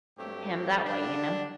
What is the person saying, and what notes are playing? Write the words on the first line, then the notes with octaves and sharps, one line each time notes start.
him that way, you know?
G2 F#3 A3 C4 G4
D3 G3 D4